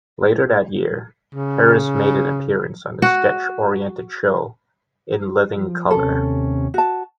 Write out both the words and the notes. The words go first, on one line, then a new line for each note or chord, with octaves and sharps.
Later that year, Harris made an appearance on the sketch-oriented show "In Living Color".
C#3
F#4
F3
D#2 C3 C#4 A4
F#4 A5